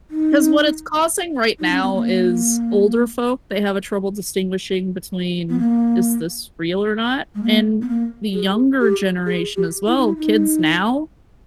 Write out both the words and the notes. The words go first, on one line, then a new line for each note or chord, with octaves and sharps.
'Cause what it's causing right now is older folk, they have a trouble distinguishing between, "Is this real or not?" And the younger generation as well, kids now,
D#4
D#4
C#4
B3
A#3
B3
A#3
G#3
A#3
B3
A#3
G#4
G4
G#4
G4
E4
D#4
E4
D#4